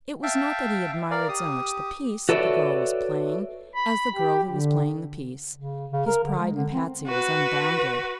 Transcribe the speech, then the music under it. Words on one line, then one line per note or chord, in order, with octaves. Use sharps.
It was not that he admired so much the "piece" the girl was playing as the girl who was playing the "piece." His pride in Patsy was unbounded.
E5 F5 G5 A5
A#4 D5 F5
G4 D#6
F#4 A4 B4 C#5 D5 E5
B5
G4
D3
C#3
C#3
A#4
D3
G#3
D3
C4
F#4 B4